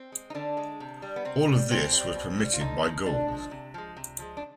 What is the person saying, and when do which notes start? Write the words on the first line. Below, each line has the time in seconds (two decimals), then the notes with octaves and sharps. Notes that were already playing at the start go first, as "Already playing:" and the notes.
All of this was permitted by Gould.
Already playing: C4
0.12 G#3
0.30 D#4
0.35 D3 D4
0.57 G#3
0.80 C3
1.02 G3
1.16 B3
1.25 C3 C4
1.48 G3
1.70 B2 C4
1.93 G3
2.15 B2
2.39 G3
2.53 F4
2.60 D3 D#4
2.83 F3 G#3
3.06 D3 D4
3.28 F3 G#3
3.51 C3
3.74 F3 G#3
3.97 C3
4.19 F3 G#3
4.37 D4